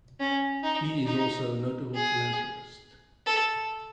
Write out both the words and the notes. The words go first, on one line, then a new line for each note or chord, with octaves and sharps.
He is also a notable philanthropist.
C#4
D#4
D#4
G#4
A4